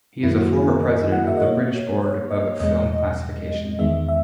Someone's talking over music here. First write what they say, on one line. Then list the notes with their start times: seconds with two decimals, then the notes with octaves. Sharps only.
He is a former president of the British Board of Film Classification.
0.23 F#2 D#3 A#3 E4
0.38 F#4
0.53 G#4
0.68 A#4
0.83 D#5
0.97 D#5
1.12 F#5
1.27 E5
1.37 D#5
1.41 B2 A#3 C#5
2.01 C#5
2.31 D#5
2.60 E2 B2 G#3 D#5
3.79 E2 D#3 G#3 B3 E5
4.08 E5